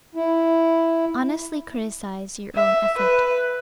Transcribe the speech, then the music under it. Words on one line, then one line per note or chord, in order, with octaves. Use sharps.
Honestly criticise your own effort.
E4
E5
B4